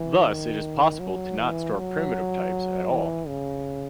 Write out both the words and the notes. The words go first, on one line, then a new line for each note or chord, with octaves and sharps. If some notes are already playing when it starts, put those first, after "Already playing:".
Thus, it is possible to not store primitive types at all.
Already playing: E3
D#3
F#3
E3
F#3
E3
C#3